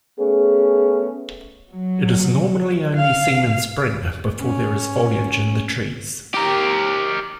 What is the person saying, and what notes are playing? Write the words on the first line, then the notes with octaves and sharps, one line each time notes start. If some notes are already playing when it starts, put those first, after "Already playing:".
It is normally only seen in spring before there is foliage in the trees.
A3 B3 C#4 G#4
F#3
F5
C#4
G4 A#4